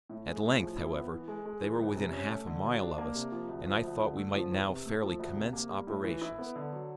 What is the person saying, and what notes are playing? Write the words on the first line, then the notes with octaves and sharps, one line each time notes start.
At length, however, they were within half a mile of us, and I thought we might now fairly commence operations.
A2
G#3
A2
F3
E4
B3
E3
G#3
G#3
E3
C#2
C3
C#4
A3
D3
F#3
D4
A#3
C3
F3
D2
F3
D2
D3
A3
F3
E2
C3
A3
F3
D2
C3
A#3
G3
A2
E3
E4
B3
D3
F#3